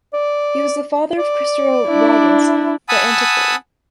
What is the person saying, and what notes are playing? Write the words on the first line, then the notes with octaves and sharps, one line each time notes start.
He was the father of Christopher Rawlinson the antiquary.
D5
D5
D4 E4
F#5 G#5 A5 B5 D#6 E6